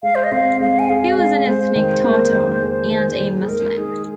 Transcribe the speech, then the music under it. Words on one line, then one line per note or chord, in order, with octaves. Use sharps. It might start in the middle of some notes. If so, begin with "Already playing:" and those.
He was an ethnic Tatar, and a Muslim.
G#3 F5
C5
D#5
C4 F5
G#3 F5
G#5
G#4 F5
G#3 F5
G#3 C5
D#3
A#3
D#3
G#4
D#3
D#3
G#4
G#3 A#4
D#4 G#4